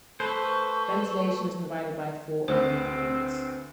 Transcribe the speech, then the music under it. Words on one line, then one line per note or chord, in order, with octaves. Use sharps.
Ventilation is provided by four opening ports.
A3 B4 C5 C#6
D2 C4 B4 C5